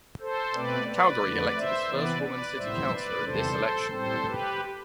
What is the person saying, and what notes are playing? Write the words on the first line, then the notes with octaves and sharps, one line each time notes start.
Calgary elected its first woman city councillor in this election.
A4 C5
B2 A3 C4 B4 D5
B4 D5
F2 D3 A3
C5 E5
C3 E3 B3 B4 D5
B4 D5
A2 G3 B3 C5 E5
B4 D5
E2 C3 G3 A4 C5
A2 G3 C4 A4 C5
G4 B4